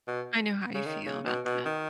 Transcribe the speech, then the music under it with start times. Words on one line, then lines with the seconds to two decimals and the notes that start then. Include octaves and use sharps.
I know how you feel about that.
0.08 B2
0.75 C#3
0.86 D#3
1.05 C#3
1.26 B2
1.45 B2
1.65 D#3